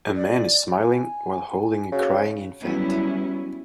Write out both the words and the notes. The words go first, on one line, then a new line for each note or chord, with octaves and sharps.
A man is smiling while holding a crying infant.
D5
G#5
C#3 F#4
F#3 G3 B3 C#4 E4